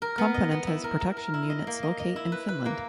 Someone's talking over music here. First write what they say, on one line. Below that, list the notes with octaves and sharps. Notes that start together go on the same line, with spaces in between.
Componenta’s production units locate in Finland.
A#4
B3
D#5
B3
E4
A#4
A#4
A#4
E4
D#5
A#3
D#5
D#5
E4
B4
B4
A#3